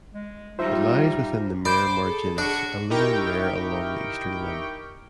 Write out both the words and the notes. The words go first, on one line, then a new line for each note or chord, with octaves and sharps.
It lies within the Mare Marginis, a lunar mare along the eastern limb.
G#3
F3 G3 D#4 F4 C5 E5
C5 D5 B5 D6 G6 D7
G#4 A4
D4 F#4 C#6
D#4 E4 G4 A#4 G5 C#6